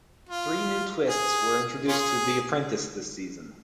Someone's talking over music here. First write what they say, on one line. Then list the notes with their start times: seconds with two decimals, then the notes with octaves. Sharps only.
Three new twists were introduced to "The Apprentice" this season.
0.29 F4
1.09 G#4
1.88 C#4 F4 G#4